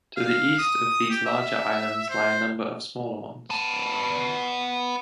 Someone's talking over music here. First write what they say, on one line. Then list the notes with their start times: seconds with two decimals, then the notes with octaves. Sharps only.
To the east of these larger islands lie a number of smaller ones.
0.16 F5
0.58 D#6
1.10 G4
1.26 E5
2.10 C5
3.50 B3 A5